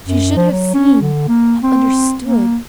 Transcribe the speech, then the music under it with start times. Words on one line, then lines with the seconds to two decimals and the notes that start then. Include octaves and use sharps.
She should have seen--have understood.
0.06 F#2
0.37 F3
0.52 F#3
0.74 C#4
1.02 D3
1.28 A#3
1.63 C4
2.24 A#3